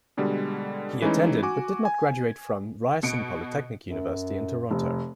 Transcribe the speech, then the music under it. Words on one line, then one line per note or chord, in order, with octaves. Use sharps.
He attended, but did not graduate from Ryerson Polytechnic University in Toronto.
B2 D3 G3 G#3
E3 G#3 A3 C#4 D#4 E4
F#4 G#5 D6
G#5
B2 C#7 D7
F#2
F1